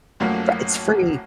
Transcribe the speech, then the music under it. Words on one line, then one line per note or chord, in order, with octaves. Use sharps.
Right, it's free.
A1 F#2 A2 F3 F#3 A#3